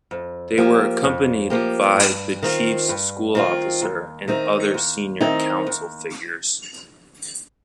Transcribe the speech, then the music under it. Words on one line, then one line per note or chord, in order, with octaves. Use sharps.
They were accompanied by the Chief School's Officer and other senior council figures.
F2
F3 A#3 G4
F2
F3 A#3 G4
G2
D#3 C4 F4
G2
D#3 C4 F4
D#2
D#3 C4 D#4
D#2
D#3 C4 D#4
D#2